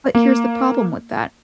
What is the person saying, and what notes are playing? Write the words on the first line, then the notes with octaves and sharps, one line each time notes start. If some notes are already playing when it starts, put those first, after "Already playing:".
But here's the problem with that.
A#3